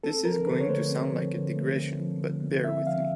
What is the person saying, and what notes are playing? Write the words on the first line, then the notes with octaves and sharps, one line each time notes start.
This is going to sound like a digression, but bear with me.
C4 A4
F3 A#4
D3 B4
C#5
A3 C5
C4
F3
D3
A3
C4
F3
D3
A3
C4 E5
F3 F5